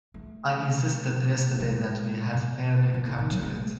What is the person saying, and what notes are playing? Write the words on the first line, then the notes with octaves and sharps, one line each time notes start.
I insisted yesterday that we had fairly captured it.
A3
A3
G#3
B2
B2
A2
D#3
F#3
G#3
A3